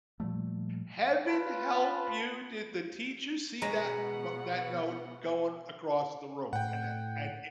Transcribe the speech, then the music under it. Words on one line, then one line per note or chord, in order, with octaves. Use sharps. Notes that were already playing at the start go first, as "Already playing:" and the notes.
heaven help you did the teacher see that ma that note going across the room and a and
A#2 F3 G3 A3
F4 B4 A5 B5
B2 G#3 B3 C#4 F#5 A#5
A2 F#5 G5